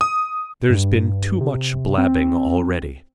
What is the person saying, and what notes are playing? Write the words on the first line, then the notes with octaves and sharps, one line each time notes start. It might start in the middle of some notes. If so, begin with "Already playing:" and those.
"There's been too much blabbing already."
D#6
G2
C3
C4